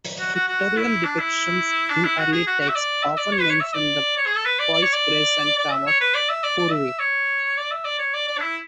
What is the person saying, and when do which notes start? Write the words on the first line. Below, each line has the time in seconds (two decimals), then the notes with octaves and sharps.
Pictorial depictions in early texts, often mention the poise, grace and charm of Poorvi.
0.19 F#4
0.34 F#4
0.48 F#4
0.77 E4
1.04 D4
1.19 E4
1.90 D4
2.04 E4
2.18 F#4
2.32 G#4
2.47 F#4
2.60 F#4
2.68 E5
2.75 D5
3.03 E5
3.17 D5
3.32 C#5
3.40 B4
3.50 C#5
3.60 E5
3.74 D5
4.17 C#5
4.26 G#4
4.36 A4
4.45 B4
4.59 D5
4.74 D5
4.82 C#5
4.93 D5
5.58 D5
5.72 E5
5.87 C#5
6.01 B4
6.14 D5
6.29 E5
6.43 D5
6.58 D5
6.71 E5
6.99 C#5
7.57 D5
7.71 E5
7.85 D5
7.99 C#5
8.13 D5
8.28 D5
8.37 D4
8.41 E4